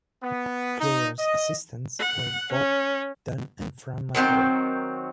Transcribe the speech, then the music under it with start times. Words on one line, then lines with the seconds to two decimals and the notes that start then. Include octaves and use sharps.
McClure's assistants were Bob Dunn and Fran Matera.
0.22 B3
0.80 D#4
1.19 D#5
1.99 F#5
2.52 C#4
4.15 D#3 F#3 C4 G5